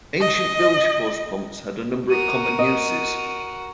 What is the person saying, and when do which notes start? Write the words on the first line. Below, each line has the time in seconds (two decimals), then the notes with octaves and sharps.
Ancient bilge force pumps had a number of common uses.
0.21 D#5
2.10 F#4 A#4 D#7
2.59 D#5